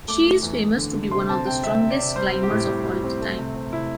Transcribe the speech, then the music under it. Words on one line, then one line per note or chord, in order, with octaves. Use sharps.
She is famous to be one of the strongest climbers of all time.
A3 D6
A3
E2
E2
D3
D3
C3 C6
C4 A5
C3 G5
C3 E5
C3
D5
C3
G3 C5
C4
G4
A2
G3
G3
C4
A3
C3
C4
C3 E4